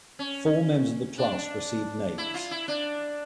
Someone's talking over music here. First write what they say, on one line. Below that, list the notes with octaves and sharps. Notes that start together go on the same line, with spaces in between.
Four members of the class received names.
C#4
D4
E4
F4
E4
D4